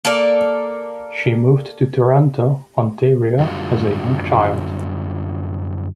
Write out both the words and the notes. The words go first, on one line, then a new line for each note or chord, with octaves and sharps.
She moved to Toronto, Ontario, as a young child.
A#3 A4 A#4 D5
F#2 D3 G3 F4 F#4